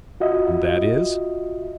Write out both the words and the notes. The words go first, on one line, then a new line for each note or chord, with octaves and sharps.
"And that is--?"
F4 F#4 D#5 E5